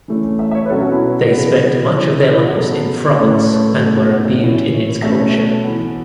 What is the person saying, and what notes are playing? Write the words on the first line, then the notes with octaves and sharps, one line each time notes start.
They spent much of their lives in France and were imbued in its culture.
E3 A3 C#4
E5
E5
C#5
B4
B2 F#3 C#4 A4
F#4
E4
C#3 E3 B3
F#4
E3 C#4
E4
E4
F#4
C#3 F#3 B3 A4
A2 A3 C#4 A4
B4
A4
B2 A3 C#4 F#4
F#4
F#5
E5
A2 E3 C#4
B2 A3 C#4 E5
C#5
A4
E3 B3